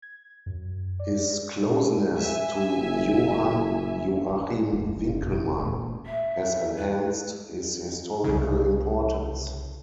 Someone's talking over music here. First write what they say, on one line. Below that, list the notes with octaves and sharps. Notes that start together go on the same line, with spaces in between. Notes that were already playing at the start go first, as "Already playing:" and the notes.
His closeness to Johann Joachim Winckelmann has enhanced his historical importance.
G#6
F#2
D5
A#2
E5 G#5
F#1
F#3
G1 D2
F#1
E1 A1
A#2 A#3
E5
B4
C2 C#3